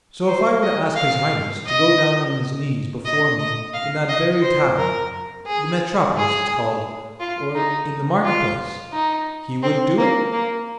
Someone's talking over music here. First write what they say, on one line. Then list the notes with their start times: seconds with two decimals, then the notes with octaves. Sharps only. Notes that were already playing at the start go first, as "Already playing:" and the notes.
"So if I were to ask his highness to go down on his knees before me in that very tavern--'The Metropolis' it's called--or in the market-place, he would do it?"
0.28 C5
0.63 D#5
0.96 F5
1.67 D#5
3.05 D#5
3.39 D#5
3.74 F5
4.09 D#5
4.42 C5
4.78 A#4
5.47 G#4
6.17 G#4
7.20 F4
7.55 D#4
8.24 F4
8.93 D#4
9.63 C4
9.98 A#3
10.33 A#3